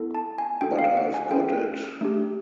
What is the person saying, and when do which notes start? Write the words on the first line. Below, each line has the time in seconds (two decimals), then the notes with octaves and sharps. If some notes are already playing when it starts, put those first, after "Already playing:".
But I've got it!
Already playing: B3 E4 A4
0.15 A5
0.38 G#5
0.61 D4 F#4 A4 G5
0.79 F5
0.97 F#5
1.14 G#5
1.31 C#4 F4 G#4 G5
2.01 A3 D4 G4